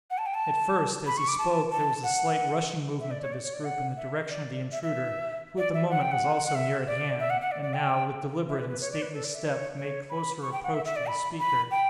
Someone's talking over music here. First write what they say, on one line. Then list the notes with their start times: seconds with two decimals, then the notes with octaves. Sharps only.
At first, as he spoke, there was a slight rushing movement of this group in the direction of the intruder, who at the moment was also near at hand, and now, with deliberate and stately step, made closer approach to the speaker.
0.10 F#5
0.18 A5
0.26 G5
0.34 A5
1.07 B5
1.17 C#6
1.28 D6
1.39 A5
1.71 A5
2.04 F#5
3.00 E5
3.11 D5
3.22 C#5
3.32 D5
3.44 C#5
3.54 D5
3.64 F#5
3.97 E5
4.29 D5
4.72 E5
4.83 E5
5.58 D5
5.74 E5
5.91 F#5
6.01 G5
6.12 F#5
6.45 F#5
6.55 E5
6.87 D5
7.19 E5
7.30 F#5
7.41 F#5
7.51 D5
7.63 D5
7.74 G5
8.49 E5
8.59 B4
8.70 B4
8.81 C#5
8.92 D5
9.02 B4
9.13 A4
9.24 D5
9.35 E5
9.45 C#5
9.78 C#5
10.09 B5
10.42 C#6
10.52 G5
10.64 F#5
10.74 E5
10.85 E5
10.96 D5
11.07 B5
11.39 B5
11.71 G5